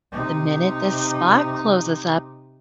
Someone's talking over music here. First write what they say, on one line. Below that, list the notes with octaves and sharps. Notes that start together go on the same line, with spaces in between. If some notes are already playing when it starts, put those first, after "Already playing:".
the minute this spot closes up,
C3 D#4